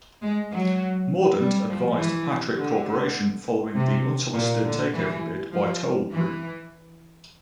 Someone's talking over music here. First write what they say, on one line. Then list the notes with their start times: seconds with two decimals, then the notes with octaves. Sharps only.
Mordant advised Patrick Corporation following the unsolicited takeover bid by Toll Group.
0.22 G#3
0.51 F#3
1.40 G3
1.69 F3
1.98 E3
2.57 D3
3.75 C3
4.34 A#2
4.64 D3
4.94 E3
5.52 F3
6.11 E3